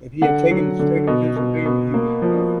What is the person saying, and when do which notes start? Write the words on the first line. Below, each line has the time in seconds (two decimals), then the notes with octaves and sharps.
If he had taken the state of Pennsylvania he would have won.
0.21 D3 F#5
0.51 F#3
0.79 D3
1.07 B2
1.36 B2
1.66 B2
1.94 A#3
2.22 F3